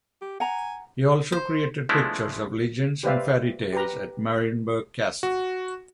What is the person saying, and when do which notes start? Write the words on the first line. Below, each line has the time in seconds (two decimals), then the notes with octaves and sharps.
He also created pictures of legends and fairy tales at Marienburg Castle.
0.22 G4
0.40 F#5 G#5 A#5
1.32 C5
1.89 F3 G#3 A3 B3 D4 E4
3.03 G4 B4 C5 D5 E5 F5
3.73 G4 B4 A#5
5.23 F#4